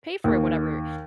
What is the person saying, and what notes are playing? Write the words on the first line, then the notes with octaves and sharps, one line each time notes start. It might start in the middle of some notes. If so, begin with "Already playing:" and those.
pay for whatever
D#2